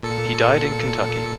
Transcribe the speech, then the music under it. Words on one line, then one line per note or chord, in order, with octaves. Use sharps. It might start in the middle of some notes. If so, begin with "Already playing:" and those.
He died in Kentucky.
A#2 A4 C#7